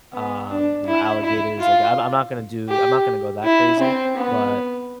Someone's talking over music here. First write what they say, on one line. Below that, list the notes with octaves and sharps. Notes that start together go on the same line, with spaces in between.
um, you know, alligators. Like, I'm I'm not gonna do I'm not gonna go that crazy but
B3
D4
E4
E4
F4
G4
E4
C4
B3